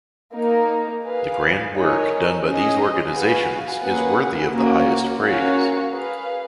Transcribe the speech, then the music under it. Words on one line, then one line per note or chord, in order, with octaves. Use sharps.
The grand work done by these organizations is worthy of the highest praise.
A#3 D#4 A#4
G#4 B4 F5
D#4 A#4 C#5 G#5
C#4 G#4 D#5
F#4 B4 F5 G#5
A#3 C#4 G#4 B4 F#5
A#3 C#4 F#4 A#4
C#4 F#4 A#4 C#5 F5
G#4 B4 F5